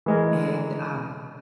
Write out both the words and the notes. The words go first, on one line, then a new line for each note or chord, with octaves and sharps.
and, um
E3 G#3 A#4